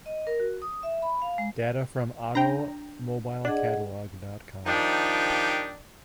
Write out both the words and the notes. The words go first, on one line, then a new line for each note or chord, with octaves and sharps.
Data from automobile-catalog dot com.
D#5
A#4
F#4
D#6
E5
B5
F5
G#3
D4 G5 A#5
D4 G#4 D#5 F#5
D#3 F3 D4 D#4 G4